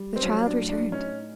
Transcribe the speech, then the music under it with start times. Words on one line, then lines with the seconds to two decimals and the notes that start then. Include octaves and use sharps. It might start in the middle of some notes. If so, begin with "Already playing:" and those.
The child returned.
Already playing: G3
0.16 C4
0.23 F#3 C#4
0.46 D4
0.58 A2
0.69 D4
0.92 C#4 D#4